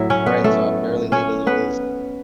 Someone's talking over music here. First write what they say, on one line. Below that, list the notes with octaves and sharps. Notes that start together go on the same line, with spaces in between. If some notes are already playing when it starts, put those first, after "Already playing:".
Right, so I barely leave as it is.
Already playing: A2 F#3 E4 E5
C#4 C#5
B3 B4
A3 A4
C#4 C#5
B3 B4